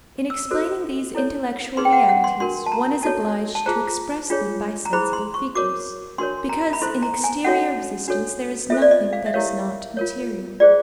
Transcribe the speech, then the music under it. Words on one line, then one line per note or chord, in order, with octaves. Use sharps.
In explaining these intellectual realities, one is obliged to express them by sensible figures because in exterior existence there is nothing that is not material.
E6
F#4 A4 C5
E4 A4 C#5
D#4 G#4 B4 C6
G5
F#5
F#5
C6
D4 F#4 A#4 C6
A5
A#5
D#4 F#4 A4 C#5 A5
A5
F4 G#4 C5 A#5
D4 F4 G#4 C#5
A#5
E4 G#4 C5 B5
C6
C#6
F#4 A#4 C#5 D6
D4 F#4 A#4 C#5 C6
A#5
B5
E4 A4 C5 C6
A#5
G#5
C#4 F#4 A4 C#5 F#5
D4 F#4 A4 C#5
F4 A4 C5 E5
D5
D#5
F5
E5
E4 G4 A#4 C#5 F5
F4 A#4 C#5
F4 G#4 C5 D5